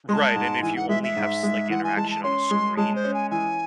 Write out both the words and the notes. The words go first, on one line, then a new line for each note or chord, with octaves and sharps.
right, and if you only have s like, interaction on a screen,
G#3 A5 C6
G#2
E3 G#5
F#5
G#3 E5
E5
G#2
G#3
E3 F#5
G#5
G#3 A5
A5
C#4 C6
G#3
G#3 A5
C5
C#4
G#5
E3 G#5